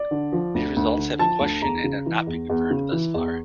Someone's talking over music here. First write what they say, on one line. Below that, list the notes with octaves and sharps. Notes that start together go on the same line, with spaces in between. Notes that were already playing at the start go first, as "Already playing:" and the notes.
These results have been questioned and have not been confirmed thus far.
Already playing: D5
D3
F3
D2
D2
D3
F3 A5
D2
E2 A#5
C#3
E3
E2
E2
C#3
E3
E2